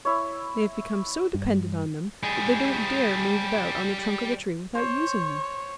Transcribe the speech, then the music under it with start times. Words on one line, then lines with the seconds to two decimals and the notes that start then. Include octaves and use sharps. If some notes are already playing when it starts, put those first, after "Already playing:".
They have become so dependent on them that they don't dare move about on the trunk of a tree without using them.
0.05 E4 C#5
1.34 G2
2.23 G3 G#4
4.75 C5 C#5